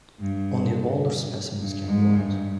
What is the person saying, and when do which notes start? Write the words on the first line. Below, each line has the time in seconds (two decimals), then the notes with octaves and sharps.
Only the older specimens can divide.
0.19 G2
1.59 G2
1.88 G#2
2.15 G2